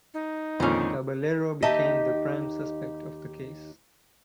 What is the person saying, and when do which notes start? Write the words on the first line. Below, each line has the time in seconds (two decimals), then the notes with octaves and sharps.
Caballero became the prime suspect of the case.
0.14 D#4
0.60 F2 A#2 D3 D#3 G#3 C#4 C5
1.62 D#2 D#4 G4 D#5 E5 A5